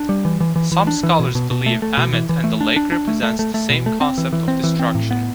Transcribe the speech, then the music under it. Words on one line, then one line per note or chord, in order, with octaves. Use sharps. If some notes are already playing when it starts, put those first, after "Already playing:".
Some scholars believe Ammit and the lake represent the same concept of destruction.
Already playing: D4
G3
E3
E3
E3
E3
D4
E3
B2
B2
B2
A3
A3
B2
E3
E3
A3
D4
D4
D4
A3
A3
A3
A3
B2
A3
C4
E3
E3
C4
E3
C4
A2
B3